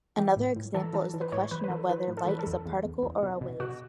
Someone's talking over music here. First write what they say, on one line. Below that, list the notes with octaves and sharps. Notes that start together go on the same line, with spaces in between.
Another example is the question of whether light is a particle or a wave.
E3 G4
A2
A2
E3 A4
E3 A4
E3
B4
A2 C#5
E3 B4
B4
E3 A4
E3 B4
A2
A4
E3 B4
A4
E2
E2
E2
E2
B2
B2
B2 F#4